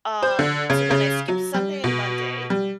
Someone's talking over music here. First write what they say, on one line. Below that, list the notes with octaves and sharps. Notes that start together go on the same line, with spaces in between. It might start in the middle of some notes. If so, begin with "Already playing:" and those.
um, so then I skipped Sunday and Monday,
C5
D3
C#3
C#3
F#3
G3
B2
G3